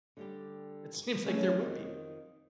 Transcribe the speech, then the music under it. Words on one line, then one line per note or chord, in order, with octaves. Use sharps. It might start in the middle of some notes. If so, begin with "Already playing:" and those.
It seems like there would be.
D3 G3 G4
F#3 A3 B3 C#4 G#4
F2 D#3